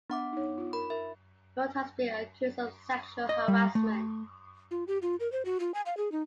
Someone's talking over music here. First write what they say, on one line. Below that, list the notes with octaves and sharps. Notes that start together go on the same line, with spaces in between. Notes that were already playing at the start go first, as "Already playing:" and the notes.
Nord has been accused of sexual harassment.
B3 D4 E5 F#5 D6
D#4 C#5
F4
A#4 B5
A#4 E5
D#5
G3
A3
F4
G4
F4
A#4
C5
F#4
F4
G#5
F5
G#4
D#4